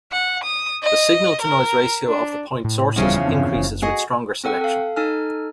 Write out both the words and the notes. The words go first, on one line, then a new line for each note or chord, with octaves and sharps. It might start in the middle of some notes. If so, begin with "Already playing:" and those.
The signal to noise ratio of the point sources increases with stronger selection.
F#5
D#6
D#5
A#4
D4
A2
D1 E2 C#3 F3 G3
G2 C4 D4
F#1
F#4 G#4 D#5
C4 A4 F#5 G5
A4 F5
D#4 A4 G#5 F6